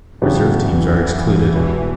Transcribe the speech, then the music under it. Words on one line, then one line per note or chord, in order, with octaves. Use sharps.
Reserve teams are excluded.
C#3 E3 F#3 B3 D4 G4
E2 B2 G#3 B3 D4